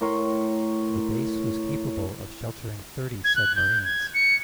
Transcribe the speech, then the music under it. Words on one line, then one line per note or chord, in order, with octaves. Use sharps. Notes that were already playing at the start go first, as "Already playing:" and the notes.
The base was capable of sheltering thirty submarines.
A2 A#4 C#5 C6
G#6
F#6
G6
G#6
C#7